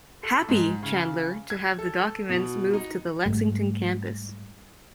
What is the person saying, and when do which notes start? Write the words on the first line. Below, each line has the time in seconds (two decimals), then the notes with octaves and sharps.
"Happy" Chandler to have the documents moved to the Lexington campus.
0.23 A4
0.49 G#2
0.83 C#3
1.50 G#6
1.78 A4
2.29 B2
2.73 D#4
3.26 G#2 G3 A3